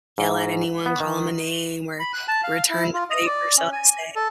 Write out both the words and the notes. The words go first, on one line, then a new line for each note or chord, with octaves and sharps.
yell at anyone, call 'em, a name, or return the favor, so to say.
G#2
B3
D#3
B5
F#6
A5
F5
E4
F4
D#5
D5
C#4
G#5
A4